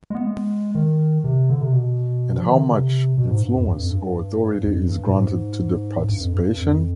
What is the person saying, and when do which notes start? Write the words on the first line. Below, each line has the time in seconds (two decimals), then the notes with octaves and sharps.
And how much influence or authority is granted to the participation?
0.10 G#3
0.15 B3
0.27 G#3
0.75 D#3
1.24 C3
1.50 D3
1.61 C3
1.73 B2
2.38 F3
2.49 D#3
2.59 D3
2.69 C3
3.18 B2
3.30 G#2
3.42 G2
3.54 F2
3.67 G2
3.79 F2
3.91 G2
4.64 F2
4.87 G2
5.06 B2
5.12 G#2
6.09 G2
6.20 F2
6.33 G2
6.57 F2